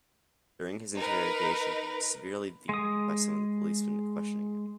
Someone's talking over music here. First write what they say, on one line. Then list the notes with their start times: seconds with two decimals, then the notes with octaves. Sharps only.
During his interrogation he was severely beaten by some of the policemen questioning him.
0.96 D#4 A#4 B4
2.69 G#3 D#6